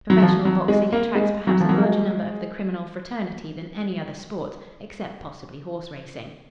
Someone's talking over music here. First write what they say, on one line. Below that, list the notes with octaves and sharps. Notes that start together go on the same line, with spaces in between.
Professional boxing attracts perhaps a larger number of the criminal fraternity than any other sport, except, possibly, horse-racing.
F#3
F3
F#3
G#3
A#3
G#3
F#3
F3
F#3
G#3